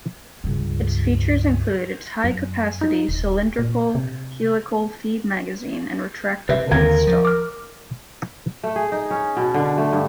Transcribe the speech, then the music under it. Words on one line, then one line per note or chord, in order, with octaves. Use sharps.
Its features include its high-capacity, cylindrical, helical-feed magazine and retractable stock.
C#2 G2
F#2
D#4
D#1
A#2
C3
C3 B4 E5
D#2 D3 C4 A#4 F5 G#6
F3
D6 F6
A3
G#4
D#4
C#4
B2
D3
A3
G2